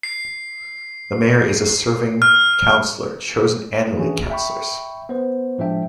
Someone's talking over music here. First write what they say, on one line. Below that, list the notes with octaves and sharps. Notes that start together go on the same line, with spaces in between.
The Mayor is a serving councillor, chosen annually councillors.
C7
F6
E3 A3 C#4 D4 F#4 G#4
E5 G5 B5 C#6
B3 C5
A2 F3 G#3 D4 E5 G5